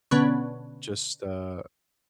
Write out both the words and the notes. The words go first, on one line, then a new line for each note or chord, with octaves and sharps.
just, uh,
B2 D3 B3 C#4